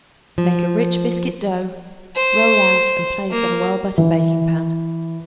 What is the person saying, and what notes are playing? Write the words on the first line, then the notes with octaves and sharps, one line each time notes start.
Make a rich biscuit dough, roll out and place on a well-buttered baking-pan.
F3
C5
A#3
E3